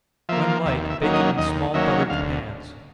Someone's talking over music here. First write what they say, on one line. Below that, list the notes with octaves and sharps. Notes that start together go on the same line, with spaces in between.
When light, bake it in small buttered pans.
F3 A#3 E5
D#2 E5
E5
D#3 F#3 A#3 C#4
D#5
D#2 D#5
D#3 F#3 A#3 C#4 E5
D2 F5